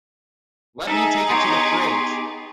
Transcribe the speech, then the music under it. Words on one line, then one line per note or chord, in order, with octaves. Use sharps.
Let me take it to the fridge!
D#4 G#4 A4 E5
B3 G4 C#5 C6